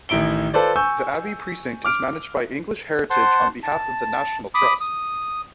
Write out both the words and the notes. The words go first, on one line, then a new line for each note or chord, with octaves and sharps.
The Abbey precinct is managed by English Heritage on behalf of the National Trust.
A1 D#3 D#4 E4 D7 G7
F4 A4 B4 C5 D5
G#5 C#6 E6 G6
D6 F6 D7
C5 F#5 A5 C6
A5
B5 D6 D#6
D#6